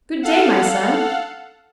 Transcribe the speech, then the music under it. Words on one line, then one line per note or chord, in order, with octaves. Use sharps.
'Good day, my son!
A4 F5 F#5